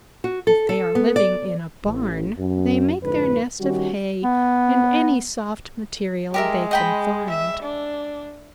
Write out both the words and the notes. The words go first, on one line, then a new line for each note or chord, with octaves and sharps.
If they are living in a barn, they make their nest of hay and any soft material they can find.
F#4
A4
A4
B3
D5
A1
F#2
F2 G#2 D3 B4
D#3 G3 C#4 F#4
B3
G#3 G4 A#4 E5
D#5 G5 B5
E5
D4